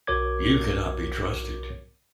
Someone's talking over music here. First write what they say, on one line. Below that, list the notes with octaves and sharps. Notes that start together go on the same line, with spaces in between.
You cannot be trusted.
B1 F#4 A#4 C#5 D6 G#6